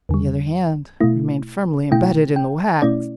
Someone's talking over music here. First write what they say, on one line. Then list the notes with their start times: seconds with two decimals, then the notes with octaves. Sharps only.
The other hand remained firmly embedded in the wax.
0.09 E2 D3 G3
1.01 B2 A3 E4
1.91 B2 A3 E4 G5
2.36 G5
2.82 B2 A3 C#4 E4 D5